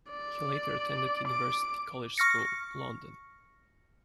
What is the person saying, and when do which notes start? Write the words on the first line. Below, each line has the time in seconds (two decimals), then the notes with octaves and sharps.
He later attended University College School, London.
0.10 D5
1.28 D6
2.18 C#6 F6 A#6 C#7